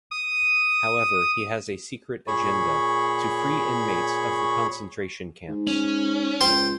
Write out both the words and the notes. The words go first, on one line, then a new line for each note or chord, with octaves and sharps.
However, he has a secret agenda: to free inmates of the concentration camps.
D#6
A#2 G#4 C#5 B5 C#6
G#2
C#4
C#2 C5 G5